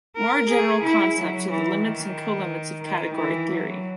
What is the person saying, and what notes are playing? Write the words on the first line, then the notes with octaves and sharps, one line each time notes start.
More general concepts are the limits and colimits of category theory.
A#4
G#4
E4
F#3
E3
D#3
D#3
E3
F#3